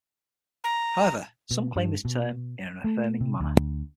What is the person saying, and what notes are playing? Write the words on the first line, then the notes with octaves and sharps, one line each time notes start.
However, some claim this term in an affirming manner.
A#5
B2
G2
B2
A3
C3
D2